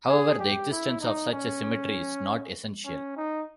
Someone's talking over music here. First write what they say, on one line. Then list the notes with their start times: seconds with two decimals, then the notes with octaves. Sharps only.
However, the existence of such a symmetry is not essential.
0.09 G#4
0.40 G4
0.71 E4
1.01 D#4
1.32 C#4
2.86 C#4
3.16 D#4